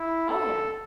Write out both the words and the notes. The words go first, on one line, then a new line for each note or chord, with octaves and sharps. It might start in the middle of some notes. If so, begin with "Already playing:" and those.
Oh yeah,
Already playing: E4
A4